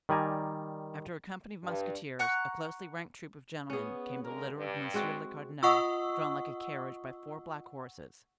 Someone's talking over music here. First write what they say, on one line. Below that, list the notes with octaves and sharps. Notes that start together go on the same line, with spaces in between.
After a company of musketeers, a closely ranked troop of gentlemen, came the litter of monsieur le cardinal, drawn like a carriage by four black horses.
D#3 G3 D5 G#5 A#5
G2
F#5 A#5 C#6 F#6
B3 C#4 G#4
D3 G#3 A#4
G2
G#3 C4 F#4
F4 D#5 F#5 C#6 D#6 E6